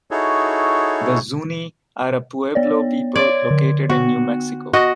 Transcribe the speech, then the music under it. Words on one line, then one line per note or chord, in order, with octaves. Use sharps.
The Zuni are a Pueblo people located in New Mexico.
D#4 E4 F#4 G#4 A4 C#5
B3 C#5 D5
C#5 D5 C6 G#6
D3
B3 F#4
F#4 D#5